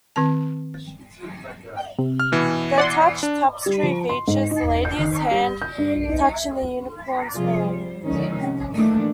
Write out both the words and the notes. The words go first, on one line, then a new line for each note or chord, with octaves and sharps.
The "Touch" tapestry features the lady's hand touching the unicorn's horn.
D#3 C4 A5
C3
F6
B2 E3
D5 F#5 C6
D4
G3
F3
C6
G#2
D#4
G6
D#3
G3
G6
G2
D#4
C3 F3 G3 F4 G#4
G3
D3 D#3 F3 G#3 C#4 D#4
C3 C#4
A2 D#3 E3 A3 A#3 D4